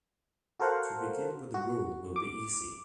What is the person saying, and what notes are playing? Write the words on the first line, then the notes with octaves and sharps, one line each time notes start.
To begin with the rule will be easy.
F#4 A4 A#4 C5 F5 F#5
F#4
D6